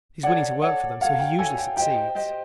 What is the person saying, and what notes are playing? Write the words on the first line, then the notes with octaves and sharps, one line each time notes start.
He is willing to work for them, so he usually succeeds.
A4 C#5 D5 F#5
A4 C#5 F#5
A4 C#5 F5 F#5
G5
A4 C#5 F#5 G#5
G5
G4 C5 D#5 G5
G4 C5 D#5